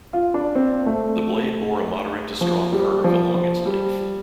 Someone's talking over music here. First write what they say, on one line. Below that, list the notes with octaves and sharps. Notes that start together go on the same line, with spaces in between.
The blade bore a moderate to strong curve along its length.
F4
D4
C4
A3
F3
G3
F3
F3
G3